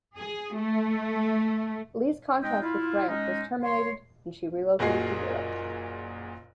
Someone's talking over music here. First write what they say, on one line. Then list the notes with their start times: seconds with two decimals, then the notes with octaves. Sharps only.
Lee's contract with Rank was terminated and she relocated to Europe.
0.17 G#4
0.54 A3
2.42 G#3 C4 D#4 D#5 G5
2.61 E4 F4
3.08 G#3 C#4 D#4
3.63 C#5 C6
4.79 F#1 A#2 F#4 G#4 D#5 C7